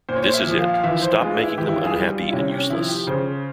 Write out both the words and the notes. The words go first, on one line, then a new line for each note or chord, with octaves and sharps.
This is it: stop making them unhappy and useless.
A#2 C5
C#5
C5
E5
F3
F5
F5
E3 E5
C5
G#3 F4
E4
E3 G4
E4
F4
G#4
G3 G4
F4
E4
C3 C#4
C#4
C#4
F3 E4
G4
C#3 C5